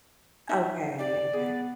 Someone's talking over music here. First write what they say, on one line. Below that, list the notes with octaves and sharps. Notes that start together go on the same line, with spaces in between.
Okay, okay.
D#4 E5
G4 D5
B3 G#4